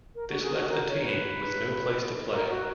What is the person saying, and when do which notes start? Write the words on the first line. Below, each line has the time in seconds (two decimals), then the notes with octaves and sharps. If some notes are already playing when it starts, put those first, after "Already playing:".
This left the team with no place to play.
0.15 A#4
0.29 F#4
0.43 G#4
0.56 F#4
0.69 A#4
0.88 C#5
1.06 B4
2.31 A#4
2.50 F#4